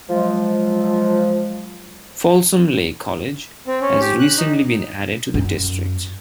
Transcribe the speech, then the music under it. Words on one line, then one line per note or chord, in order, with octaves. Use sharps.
Folsom Lake College has recently been added to the district.
F3 F#3 G#3
C4
C#4
G4
F#6
D#4
F#2